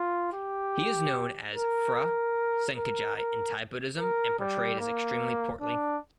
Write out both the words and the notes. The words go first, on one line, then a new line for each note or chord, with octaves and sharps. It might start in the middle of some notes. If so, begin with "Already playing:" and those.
He is known as Phra Sangkajai in Thai Buddhism and portrayed as extremely portly.
Already playing: F4
G4
A#4
A#4
A#4
A#4
A#4
G3
A#3
D4